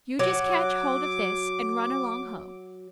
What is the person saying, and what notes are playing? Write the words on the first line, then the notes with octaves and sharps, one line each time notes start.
You just catch hold of this and run along home.
F#3 D6